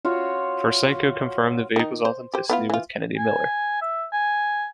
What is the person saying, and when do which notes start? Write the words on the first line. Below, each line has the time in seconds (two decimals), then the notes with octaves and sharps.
Fursenko confirmed the vehicle's authenticity with Kennedy Miller.
0.05 F4 F#4 C#5
1.76 D#3 D#4
2.05 C5
2.34 G4 C5
2.49 B3 E4 F4
2.70 E3 F4
3.18 G#5
3.82 E5
4.12 G#5